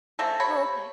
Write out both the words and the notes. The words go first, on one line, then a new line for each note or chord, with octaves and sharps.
Oh, okay,
C#3 A3 C4 A4
C3 C#5 B5